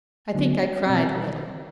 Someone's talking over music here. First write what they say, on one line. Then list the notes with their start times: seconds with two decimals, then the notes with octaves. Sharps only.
I think I cried a little.
0.35 D3 F#3 B3
0.86 B2 G3 C4